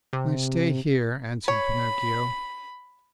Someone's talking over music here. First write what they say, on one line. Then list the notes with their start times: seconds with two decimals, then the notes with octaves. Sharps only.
"I stay here," answered Pinocchio.
0.13 C3
1.48 C#5 B5